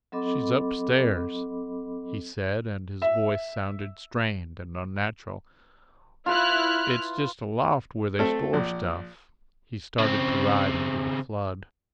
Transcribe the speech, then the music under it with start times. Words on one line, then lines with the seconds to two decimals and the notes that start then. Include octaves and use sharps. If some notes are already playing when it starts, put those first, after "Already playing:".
"She's upstairs," he said, and his voice sounded strained and unnatural. "It's just a loft where they store stuff." He started to ride into the flood.
0.12 F#3 C4 A4 D#5 B5 D6
3.02 E5
6.26 E4 F4 B4 F6 F#6
8.19 A3 C4 A4
8.53 A#1
9.99 C#3 C4